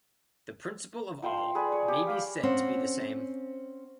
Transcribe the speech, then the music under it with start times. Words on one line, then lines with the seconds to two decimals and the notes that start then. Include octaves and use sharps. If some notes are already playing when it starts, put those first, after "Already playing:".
The principle of all may be said to be the same.
1.23 F3 G5 C6
1.38 C5
1.55 G#4 B4 D5
1.72 C#5
1.88 G4
2.07 F5 D6
2.43 C4 C#4 F#5